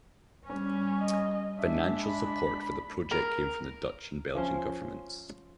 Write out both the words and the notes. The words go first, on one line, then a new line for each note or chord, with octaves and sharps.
Financial support for the project came from the Dutch and Belgian governments.
G3 C#4
D#5
G#3 D4 E5
B5
A#4
F3 C#4 C5